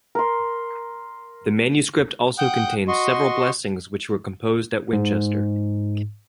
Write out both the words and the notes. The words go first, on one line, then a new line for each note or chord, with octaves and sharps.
The manuscript also contains several blessings which were composed at Winchester.
A#4 C6
F#5 G5 D#6 F#6 G6
F#4 D#5 C6 C#6
G#2